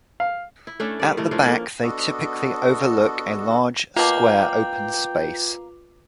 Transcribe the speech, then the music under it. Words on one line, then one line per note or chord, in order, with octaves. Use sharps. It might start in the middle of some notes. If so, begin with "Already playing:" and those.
At the back they typically overlook a large square open space.
F5
E4
A3 C#4 D4 A4
D#3 G3 D5
A2 G3 A3
F3 A3 C#4 D4
A#3
B3 D4 F#4 A4 D#5
B2 A#3 F4 B4 G5 D6